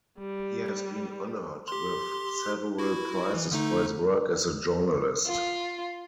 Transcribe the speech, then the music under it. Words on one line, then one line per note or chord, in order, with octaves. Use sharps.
He has been honoured with several prizes for his work as a journalist.
G3
G4 C6
E4 F#4
E3
D3 A3 D#4
F4